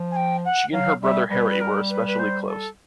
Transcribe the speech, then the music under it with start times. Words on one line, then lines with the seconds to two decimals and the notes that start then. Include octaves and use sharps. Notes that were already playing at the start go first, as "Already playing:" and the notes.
She and her brother Harry were especially close.
Already playing: F3
0.11 G#5
0.16 G5
0.44 F#5
0.73 F#3 F5
1.02 G3 E5
1.31 G3 B4
1.49 B4
1.60 A#4
1.89 B4
2.06 B4
2.18 C5
2.46 A4